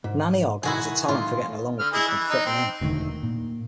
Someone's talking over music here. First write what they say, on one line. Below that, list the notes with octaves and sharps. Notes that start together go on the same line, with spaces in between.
Nanny Ogg has a talent for getting along with people and fitting in.
G#2
B1 D#3 E4 F#4 G#4
A2 D#3 F4
D3 F6
E4 G#4 D#5
E3
D#4
C4
E1 D2 D3 D#3
A#2